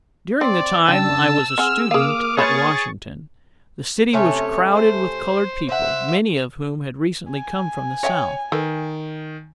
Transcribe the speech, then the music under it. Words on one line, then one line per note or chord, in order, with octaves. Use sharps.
During the time I was a student at Washington the city was crowded with coloured people, many of whom had recently come from the South.
C4 D5
C#3 D4 G5 A5 E6
C4 G#4 F#5 G#5 F6
A#3 G#4 F5 D6 D#6 F6
G#4 B4 C#5 B5 C#6 A6
C3 A3 C#4 C#5
C5
C5 E5 F#5
G#5
C#5 D#5 E5 G5
D#3 A4 B4